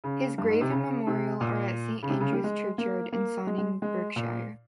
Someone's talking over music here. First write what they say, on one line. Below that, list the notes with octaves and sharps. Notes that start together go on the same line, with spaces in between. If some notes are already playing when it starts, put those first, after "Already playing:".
His grave and memorial are at Saint Andrew's churchyard in Sonning, Berkshire.
C#3
G2
G#2
C3
C#3
C3
A#2
C#3
C3
C#3
G3
G#3
A#3
A#3
G#3
G#3
G#3
A#2